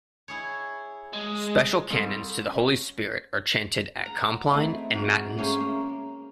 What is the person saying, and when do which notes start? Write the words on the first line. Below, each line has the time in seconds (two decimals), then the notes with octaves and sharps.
Special canons to the Holy Spirit are chanted at Compline and Matins.
0.28 E4 G#4 C#5
1.13 G#3
1.91 C2 A4 C6
2.45 C#4
4.01 A#4 F#5 A#5
4.50 A3 C4 D#4 E4
4.94 G#2 F#4 F5 G5
5.38 A3 A#3 C#4 G#4 C5 C#5
5.60 A#3